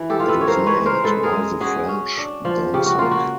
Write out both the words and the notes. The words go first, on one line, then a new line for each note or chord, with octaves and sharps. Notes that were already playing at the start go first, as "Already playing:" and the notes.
It was named "Why the French Don't Suck".
Already playing: E3
G4 A4
F4
A4 B4
C#5
C#4 A#4 C5
B4 C#5
G#3
A#4 C5
G#3 A4 B4
G#4 A#4
G#3
C#4 F#4 G#4
C#4
D4
F3
C#3 G4
F#4
A#3 F4
F#4